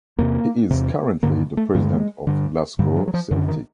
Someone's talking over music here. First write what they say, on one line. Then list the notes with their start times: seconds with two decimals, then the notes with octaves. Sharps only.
He is currently the president of Glasgow Celtic.
0.18 E2 C3 A#3
0.70 E2 C3
1.23 G2 D3 A#3
1.57 A3
1.75 G2 D3 G#3
2.27 G2 D3
2.79 G2 D3 G3
2.96 F#3
3.08 F#3
3.14 F3
3.31 F#2 D3 D#3
3.48 D#3